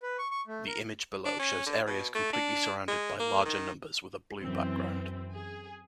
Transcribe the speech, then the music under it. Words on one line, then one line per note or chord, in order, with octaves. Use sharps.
The image below shows areas completely surrounded by larger numbers with a blue background.
B4
C#6
C#6
A3
A#4
D4
C#4
D3
B2
A3
D4
G#3
A#3
D#3
F#2 E3 C4
G#4